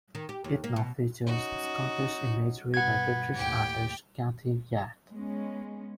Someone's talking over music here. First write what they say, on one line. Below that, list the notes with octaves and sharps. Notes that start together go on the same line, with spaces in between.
It now features Scottish imagery by British artist Kathy Wyatt.
D#3
G4
D#2
A#3
B2
C#4 D#4 F#4
G2 B2 B3 F#5 G#6
D#2 A2 G4 G5
G#3 B3 C#4